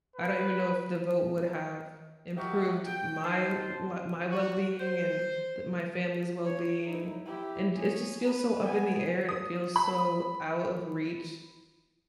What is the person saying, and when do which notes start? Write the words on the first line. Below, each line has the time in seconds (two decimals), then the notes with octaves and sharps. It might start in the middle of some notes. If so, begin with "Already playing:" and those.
I don't even know if the vote would have improved my l my wellbeing and the my family's wellbeing. And it just feels so up in the air, it feels so out of reach,
0.16 B4
2.36 F#4 G4 A#4 D#5 E5 F#5
2.85 G5
3.23 D#3 C5 A5
4.31 F#4
4.80 C5
6.45 C#5
6.85 D#4 E4
7.26 E4 G4
7.76 G#4 C#5
8.24 B4
8.63 B3 G#5
9.29 D#6
9.76 B5